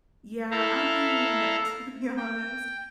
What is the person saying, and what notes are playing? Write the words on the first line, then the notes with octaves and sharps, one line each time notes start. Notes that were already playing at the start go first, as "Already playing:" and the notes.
Yeah, I mean, to be honest,
E4 A4 E5 F5 A#5
G5